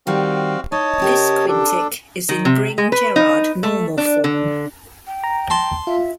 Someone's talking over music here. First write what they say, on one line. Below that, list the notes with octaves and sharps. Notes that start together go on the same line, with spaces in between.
This quintic is in Bring-Jerrard normal form.
D#3 G3 C4 F#4 F5
D#4 C#5 D#5 A5
C#3 G4 A#4
D4 A4
D#3
C3
G#3
B4
D#4
A3
D4
D3
G5
A#5
A5 C6
F4 E5